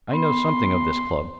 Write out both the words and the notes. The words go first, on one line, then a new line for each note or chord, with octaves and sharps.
I know something of this club.
B3 C6